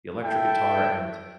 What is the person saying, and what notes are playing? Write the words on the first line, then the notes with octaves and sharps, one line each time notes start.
the electric guitar, and
E4 A4 E5 G5